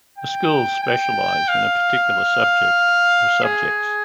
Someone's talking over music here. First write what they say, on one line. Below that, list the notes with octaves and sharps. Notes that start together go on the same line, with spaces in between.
The schools specialize in a particular subject or subjects.
G5
G5
F5
G#4